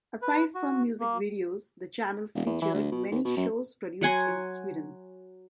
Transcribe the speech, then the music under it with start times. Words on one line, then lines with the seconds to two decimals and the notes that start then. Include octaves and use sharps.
Aside from music videos the channel featured many shows produced in Sweden.
0.22 B4
0.55 F#4
1.00 A#3
2.35 E1
2.46 E2
2.62 E3
2.74 D2
2.91 B2
3.11 D#2
3.24 B2
3.37 F#2
4.01 F#3 F#5 G#5 C6